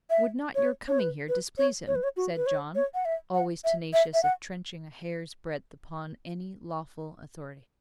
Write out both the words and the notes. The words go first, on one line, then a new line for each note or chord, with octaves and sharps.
"Would not your coming here displease him?" said John, always tenacious of trenching a hair's breadth upon any lawful authority.
E5
C#5
C#5
B4
B4
C#5
C#5
B4
C#5
F#4
B4
C#5
C#5
F#5
E5
F#5
E5
E5
E5
F#5